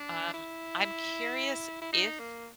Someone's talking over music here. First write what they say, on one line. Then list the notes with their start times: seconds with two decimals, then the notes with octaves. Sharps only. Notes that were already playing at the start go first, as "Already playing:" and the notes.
Um, I'm curious if
Already playing: D4
0.34 E4
1.82 E4
1.93 D#4
2.19 A#3